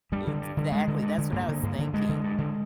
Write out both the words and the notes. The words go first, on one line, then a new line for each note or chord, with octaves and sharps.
Exactly, that's what I was thinking.
G2 G3
D3
G2
D3
G2 G#3
D3
G2
D3
G2 A#3
D3
G2
D3
G2 G#3
D3
G2
D3